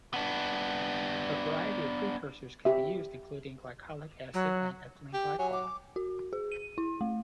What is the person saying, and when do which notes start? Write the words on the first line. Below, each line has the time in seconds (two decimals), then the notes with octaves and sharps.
A variety of precursors can be used including glycolic acid and ethylene glycol.
0.14 B3 D4
2.65 G4 E5
4.34 F#3
5.13 G4
5.39 F#3 G#5
5.53 D6
5.96 F#4
6.33 G#4
6.52 D#7
6.78 E4
7.01 A3